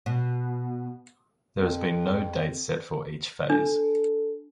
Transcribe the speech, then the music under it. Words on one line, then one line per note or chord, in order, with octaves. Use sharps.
There has been no date set for each phase.
B2
F2
D4 A4